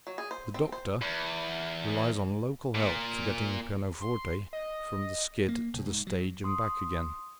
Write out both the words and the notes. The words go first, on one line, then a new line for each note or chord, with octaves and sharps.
The "doctor" relies on local help for getting the pianoforte from the skid to the stage and back again.
F#3
G#4
C5
C4
C5
E2
A#2
C6
D#5
A#3
C2
G#2
F#3
C6 D#6